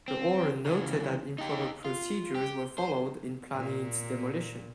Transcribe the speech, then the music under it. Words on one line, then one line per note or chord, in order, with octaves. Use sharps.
The order noted that improper procedures were followed in planning its demolition.
C4
C#3 E3
D#4 G4
F4
G4
C5
A#2